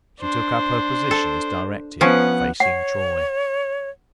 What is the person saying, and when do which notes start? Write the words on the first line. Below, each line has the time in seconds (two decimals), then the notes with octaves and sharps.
She took up her position as directed, facing Troy.
0.21 D4 C5
1.11 A4
2.01 F3 B3 C#4 F#5
2.60 C#5 F#5